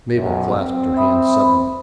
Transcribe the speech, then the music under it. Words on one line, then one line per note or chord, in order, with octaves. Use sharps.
Mabel clasped her hands suddenly.
B1 F#2
C4
E5 B5 D#6
B5